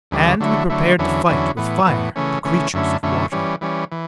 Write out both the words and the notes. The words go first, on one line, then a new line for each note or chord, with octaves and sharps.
And we prepared to fight, with fire, the creatures of water.
D2 C#3 E3 G3
D3 F#3 A3 E4
D3 F#3 A3 E4
E2 D3 F#3 C#4 E4
E2 D3 F#3 C#4 E4
A2 E3 B3
A2 E3 B3
C#3 E3 A3 C#4
C#3 E3 A3 C#4
F#2 D3 A3 C#4 E4
F#2 D3 A3 C#4 E4
E3 G3 C#4
E3 G3 C#4
E3